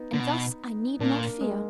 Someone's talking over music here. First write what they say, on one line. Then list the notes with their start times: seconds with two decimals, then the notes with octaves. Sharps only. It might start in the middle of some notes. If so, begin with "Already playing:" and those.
And thus I need not fear.
Already playing: B3 D#4
0.14 D3
0.19 B2
1.00 A#2 A#3 D4
1.21 A#3
1.41 G#3